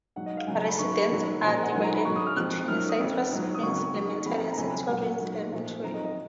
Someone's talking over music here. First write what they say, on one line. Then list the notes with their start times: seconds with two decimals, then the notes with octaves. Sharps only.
Residents are divided between Citrus Springs Elementary and Central Ridge Elementary.
0.16 G#2 F#3 F#5
0.26 D#5
0.37 F5
0.47 F#2 C#3 F#3 G#5
0.58 A#5
0.68 B5
0.79 G#2 D#3 F#3 C#6
0.95 B5
1.10 F#2 D#3 F#3
1.41 A#2 F3 A#5
1.53 G#5
1.63 F#5
1.73 G#2 D#3 F#3 G#5
1.84 A#5
1.95 B5
2.05 G#2 C#6
2.08 F#3
2.16 D#6
2.26 F6
2.36 F2 F3 F#6
2.68 F#2 D#3 F#3 F6
2.89 D#6
3.00 F2 F3
3.31 G#2 F#3
3.55 D#6
3.63 F2 C#3 F#3 C#6
3.94 G#2 D#3 F#3
4.26 F2 F3 B5
4.37 A#5
4.47 B5
4.53 A#5
4.58 F2 C#3 F#3 G#5
4.89 A#2 F#3 F#5
5.21 G#2 F#3
5.52 A#2 F3
5.84 F2 D#3 F#3 A#5
5.94 D#5
6.05 D#5